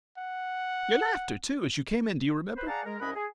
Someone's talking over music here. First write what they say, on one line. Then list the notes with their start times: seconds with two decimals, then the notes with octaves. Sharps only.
Your laughter, too, as you came in, do you remember?
0.18 F#5
2.56 B4 C5
2.67 G#4 D5 F5 F#5 A5 A#5
2.85 G#3 A#4
3.00 C2 C#4 A#4 D#5 F#5 B5
3.15 G#4